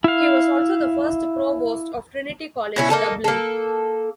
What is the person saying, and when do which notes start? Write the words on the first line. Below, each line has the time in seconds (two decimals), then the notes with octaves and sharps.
He was also the first Provost of Trinity College, Dublin.
0.04 E4 F5
2.76 B2 C#4 E4
2.90 A#3 D#4 A4
3.24 A#3 A4